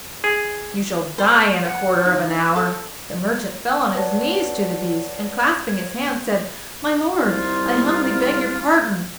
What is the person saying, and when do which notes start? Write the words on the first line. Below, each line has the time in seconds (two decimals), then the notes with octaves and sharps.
You shall die in a quarter of an hour." The merchant fell on his knees to the beast, and clasping his hands, said, "My lord, I humbly beg your pardon.
0.24 G#4
1.18 C5
1.43 C#5
1.65 F#5
2.06 D#4
2.56 A4
3.95 B4 C#5 D5 F#5 A5
5.69 G#6
7.24 C2 D#4 F4 C5